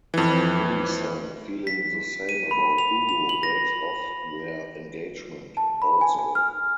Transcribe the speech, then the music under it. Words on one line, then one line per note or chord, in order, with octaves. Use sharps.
Millicent, feeling the same about Hugo, breaks off their engagement also.
F2 E3
B6
D#7
B5
F7
F7
F#7
A#6
A5
B5
G#5
G#5
F6